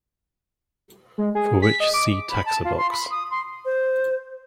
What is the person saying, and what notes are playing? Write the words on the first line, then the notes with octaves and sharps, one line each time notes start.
For which see taxobox.
G#3
G#4
B6
D#5
D6
B5
A5
F4
C6
B5
D#6
C6
C5